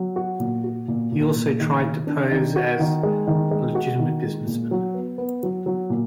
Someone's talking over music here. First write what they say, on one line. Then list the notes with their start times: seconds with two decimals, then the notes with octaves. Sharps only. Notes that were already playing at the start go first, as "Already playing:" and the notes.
He also tried to pose as a legitimate businessman.
Already playing: F#3
0.16 F#4
0.40 A#2
0.64 F#4
0.88 A#2
1.12 A#2
1.36 A#2
1.60 D#3
1.84 D#3
2.07 D4
2.31 D#3
2.56 F#4
2.79 D#3
3.03 G#3
3.27 D#3
3.51 G#3
3.75 F#4
3.99 D#3
4.23 G#3
4.47 A#2
4.71 F#3
4.94 B3
5.18 B3
5.43 F#3
5.66 F#3
5.90 A#2